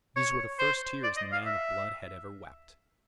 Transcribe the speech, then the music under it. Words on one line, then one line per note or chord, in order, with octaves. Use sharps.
These were the first tears the man of blood had ever wept.
C#5
C5
D5
D#5
F5
E5